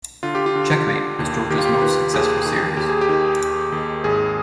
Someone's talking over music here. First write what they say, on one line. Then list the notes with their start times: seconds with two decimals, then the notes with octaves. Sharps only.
"Checkmate" was George's most successful series.
0.23 D3 F4
0.35 G4
0.46 F4
0.55 D3
0.86 D3
1.19 D#2
1.50 D#3 G4
1.58 F4
1.65 G4
1.82 D#3 B4
2.14 D#2 G#4
2.46 D#3
2.77 D#2 G4
2.89 G#4
3.01 G4
3.09 D#3
3.40 D#2
3.72 D#2
4.04 G#1 G#4